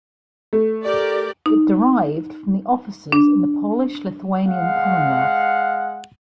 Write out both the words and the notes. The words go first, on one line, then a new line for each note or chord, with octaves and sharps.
It derived from the offices in the Polish-Lithuanian Commonwealth.
A3
G4 A#4 D5
D#4
D4
G#3 F5 F#5